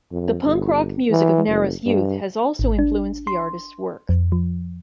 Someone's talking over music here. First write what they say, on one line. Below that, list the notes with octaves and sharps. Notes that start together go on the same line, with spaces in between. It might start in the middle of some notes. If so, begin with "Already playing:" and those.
The punk rock music of Nara's youth has also influenced the artist's work.
F2
G1
E3
F#1
G2
G#1
D4
C6
F2
F3